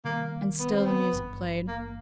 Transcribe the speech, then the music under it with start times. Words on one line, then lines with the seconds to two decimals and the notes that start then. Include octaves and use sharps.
And still the music played.
0.05 C3 D#3 G3 A#3
0.59 B3
0.72 C4
0.86 B3
1.13 G#1 G2 E3
1.68 A#3